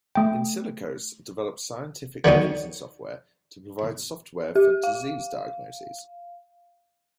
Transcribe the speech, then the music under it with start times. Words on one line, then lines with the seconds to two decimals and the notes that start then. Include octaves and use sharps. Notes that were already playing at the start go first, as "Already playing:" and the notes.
Insilicos develops scientific computing software to provide software for disease diagnoses.
0.15 A3 G5
2.24 D3 D#3 F#3 D#4
4.56 G4
4.83 F5